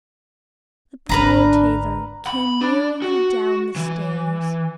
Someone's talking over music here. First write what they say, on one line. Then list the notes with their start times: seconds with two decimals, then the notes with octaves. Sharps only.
The poor tailor came wearily down the stairs.
1.09 G#1 D3 D4 A#4 B4 A#5
2.27 B5
2.61 D4
3.02 F#4
3.76 E3